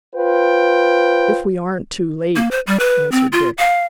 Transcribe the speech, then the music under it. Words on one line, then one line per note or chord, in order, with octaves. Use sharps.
"If we aren't too late," answered Dick.
F4 B4 C5 G5
A#3
C5
G3
B4
C4
F4
F5